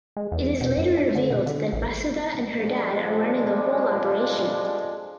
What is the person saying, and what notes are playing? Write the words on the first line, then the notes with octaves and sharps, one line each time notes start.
It is later revealed that Vasudha and her dad are running the whole operation.
G#3
E2
B2
F#2
D4
D3
B2
D3
A1
F2 F3 G3 G#3 D4